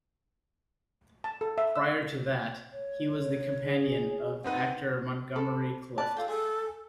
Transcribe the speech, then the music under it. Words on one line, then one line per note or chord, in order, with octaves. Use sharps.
Prior to that, he was the companion of actor Montgomery Clift.
A5
A4
E5
E6
C#5
G#4
C4 D#4 B4 F#5
A4 B5
B4 D5 A5
F4 A4 G5
G#4 A4